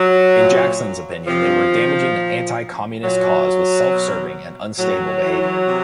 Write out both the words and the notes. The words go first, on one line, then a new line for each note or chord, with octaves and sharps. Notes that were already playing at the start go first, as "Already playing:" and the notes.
In Jackson's opinion they were damaging the anti-Communist cause with self-serving and unstable behavior.
Already playing: F#3
A#2
C3 F3
D#3
A#2
A#2 F#3
B2
A2 F#3
E3
C3